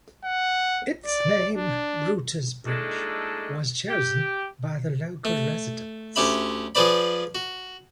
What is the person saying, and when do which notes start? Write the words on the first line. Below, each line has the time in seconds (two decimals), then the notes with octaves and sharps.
Its name, Brutus Bridge, was chosen by the local residents.
0.24 F#5
1.06 D5
1.56 D4
2.66 A#2 G#3 A3 D4 D#4 A4
3.89 G4
5.25 A3
6.16 D2 C#4 G4 E5 B5
6.75 F3 G#4 B4 C5 D5 B5
7.35 F#4